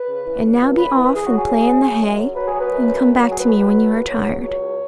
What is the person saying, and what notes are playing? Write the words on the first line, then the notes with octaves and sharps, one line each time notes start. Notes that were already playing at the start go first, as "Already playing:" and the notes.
And now be off, and play in the hay, and come back to me when you are tired.
Already playing: B4
C#3
E3
C#2
C#2
C#2 B4
E3
B4
E3 G#4
F#3 F#4
G#4
F#2
F#2
F#3
F#2
F#3
F#3 B4
G#4
F#3
B4
F#2
F#2
F#2
F#3
G#4
C#2 B4
F#3
B2
C#2
F#3
C#2
F#3 C#5
C#2